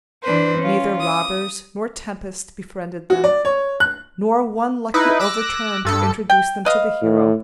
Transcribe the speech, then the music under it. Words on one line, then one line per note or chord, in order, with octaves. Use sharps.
Neither robbers nor tempests befriended them, nor one lucky overturn to introduce them to the hero.
E3 D4 B4 C5
C#4 F4
D#6
F#4
D5
C#5
F#6
D#4 E4 B4
D6 E6 F#6 A#6
G2 A4 C#7
G5
B4 D#5 F5
A2